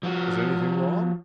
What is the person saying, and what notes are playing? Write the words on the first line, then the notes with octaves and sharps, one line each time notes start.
"Is anything wrong?"
F3 F#4